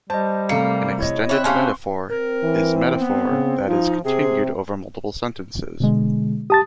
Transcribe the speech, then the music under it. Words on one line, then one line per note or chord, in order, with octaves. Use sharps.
An extended metaphor is metaphor that is continued over multiple sentences.
G3 C5 D#5 A5
C3 A3 A#3 C7 C#7
E4 C#5 D#5
C4 C#5 E5 B5 F#6
A3 C#4 G4 F5 G#5 C6 C#6
C4 A#4
E3
B3
C#3
F3 D#4 F4
C3 C4 G#4
B2 D3 G#3
G4 A5 D#6 A6